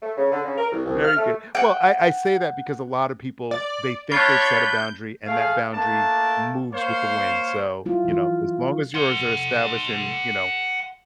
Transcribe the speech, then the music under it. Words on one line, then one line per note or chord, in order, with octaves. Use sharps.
very good. Well, I I say that because a lotta people, they think they've set a boundary and that boundary moves with the wind. So, you know, as long as yours are established and, you know,
A3
C#3
D3
C#3
A#4
C2
C2
F6
A3
F#5 G5
D5
D4 F4 C#5 B5 G6
A3 G#4 F5
A3 A#3 D4 A5
A#3 C5 C#5 F5
F#3 E4 F4
E3 F4
F#5 C6